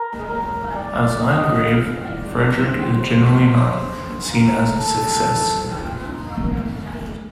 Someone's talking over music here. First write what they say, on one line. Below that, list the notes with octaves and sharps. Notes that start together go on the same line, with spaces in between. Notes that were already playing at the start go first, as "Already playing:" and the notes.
As Landgrave, Frederick is generally not seen as a success.
Already playing: A#4
A#4
D5
D#5
F5
D5
C5
C5
A#4
A4
F4
D#4